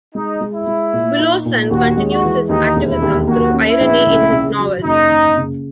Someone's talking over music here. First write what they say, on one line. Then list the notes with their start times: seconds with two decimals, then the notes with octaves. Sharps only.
Bulosan continues his activism through irony in his novel.
0.15 G#3 D#4
0.41 G#3
0.53 E4
0.67 G#3
0.93 A#2
1.19 D#4
1.46 A#2
1.71 D#2 F#4
1.97 G#3
2.10 F#4
2.24 E3
2.49 D#2 D#4
2.76 E1
2.89 E4
3.02 D#2
3.28 A#3 F#4
3.54 C#4
3.68 E4
3.80 A#1
4.06 C#2
4.32 C#3
4.59 F#3
4.84 F#1 D#4
5.11 F#1
5.37 C#3